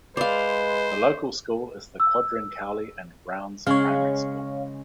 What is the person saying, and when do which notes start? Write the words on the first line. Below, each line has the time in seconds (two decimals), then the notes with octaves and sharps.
The local school is the Quadring Cowley and Brown's primary school.
0.17 G#3 B4 C5 D5 F5
2.00 E6
3.67 C#3 G#3 C#4 C#5 F5